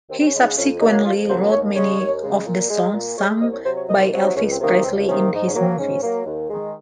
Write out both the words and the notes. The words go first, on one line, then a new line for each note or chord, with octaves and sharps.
He subsequently wrote many of the songs sung by Elvis Presley in his movies.
D#2 C4
C4
C#4
C#3 G#3
D#4
F2 C#4
C#3 F#3 A#3 D#4
F2 F4
C#3 F#3 A#3 C5
D#2 C#5
C#3 G#3 C#5
D#2
C#3 G#3
A#2
G#3
A#2
G#3 C#5
C2 D#5
C#5
C3 F#3 C5
C#5
C2 D#5
C5
C3 F#3
D#4
C#2 C#4
C4
C3 D#3 A#3
C#4
C#2 C4
C3 D#3 A#3 C#4
G#2 D#4
C#4
F#3 A#3
C4
G#2 C#4
F#3 A#3
D#2
D#3 G#3